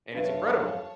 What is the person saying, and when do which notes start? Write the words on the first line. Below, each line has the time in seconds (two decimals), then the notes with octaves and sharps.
And it's incredible.
0.14 F2 F#3 D4 B4 C#5 E5 F5 A5